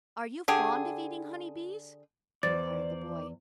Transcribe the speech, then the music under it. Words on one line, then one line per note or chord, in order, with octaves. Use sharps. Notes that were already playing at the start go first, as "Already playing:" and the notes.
"Are you fond of eating honey-bees?" inquired the boy.
D3 G4 G#4
E2 C5 D5 A6